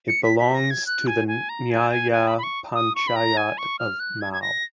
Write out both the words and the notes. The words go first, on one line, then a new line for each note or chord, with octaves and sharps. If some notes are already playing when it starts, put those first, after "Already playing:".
It belongs to the nyaya panchayat of Mau.
C#7
B6
B6
A#6
G#6
F#6
G#5
G#5
A#5
G#5
G#5
G#5
B5
B5
C#6
D#6
C#6
B5
A#5
G#5
C#6
F6
F#6
G#6
G#6
A#6